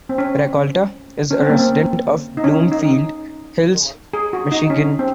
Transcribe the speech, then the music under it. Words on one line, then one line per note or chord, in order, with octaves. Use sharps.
Rakolta is a resident of Bloomfield Hills, Michigan.
C4
C#4
C#4
C4
A#3
C4
D#4
C#4
D#4
G#4
F#4
D#4
C#4
C4